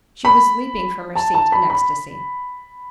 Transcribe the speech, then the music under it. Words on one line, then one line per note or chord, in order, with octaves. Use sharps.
She was leaping from her seat in ecstasy.
B5
A5
A5
B5
B5